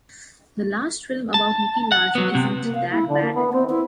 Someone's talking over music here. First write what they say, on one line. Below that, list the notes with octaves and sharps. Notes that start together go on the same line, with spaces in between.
The last film about Nicky Larson isn’t that bad at all.
A5
F#5
F#3 B3
C3
A#3
F5
E4
D3
A#3
B3
C4
E4